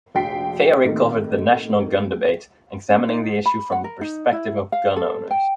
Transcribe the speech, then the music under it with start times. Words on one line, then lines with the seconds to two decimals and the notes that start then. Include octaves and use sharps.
Feyerick covered the national gun debate, examining the issue from the perspective of gun-owners.
0.15 F1 A#1 F#4 G5 B6 C7
0.84 A2 C3 D#3 A3 A#3
2.90 C#4
3.09 D#4
3.46 B5
3.72 F#5
3.84 A#4
4.01 D#4
4.33 E4
4.72 F5
4.96 A4
5.31 G5